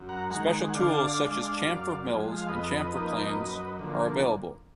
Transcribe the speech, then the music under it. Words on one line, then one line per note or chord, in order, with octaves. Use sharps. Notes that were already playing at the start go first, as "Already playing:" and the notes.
Special tools such as chamfer mills and chamfer planes are available.
Already playing: F#2
F#5 A#5
D#3 G#3 F#5 A#5
F#5
D3 D5 F5
G#3 D4
F#2
F3 G#3
F5
F2 B4 D#5
F3 A#3 D#4
F#2
D3 F3 A#3